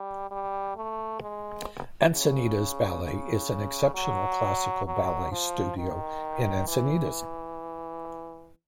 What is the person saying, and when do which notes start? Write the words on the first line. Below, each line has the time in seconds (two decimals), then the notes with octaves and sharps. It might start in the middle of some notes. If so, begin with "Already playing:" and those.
Encinitas Ballet is an exceptional classical ballet studio in Encinitas.
Already playing: G3
0.31 G3
0.76 A3
1.21 G#3
2.12 C#3
3.04 C#3
3.94 F#3
4.86 F#3
5.32 F3
5.77 D#3
6.68 E3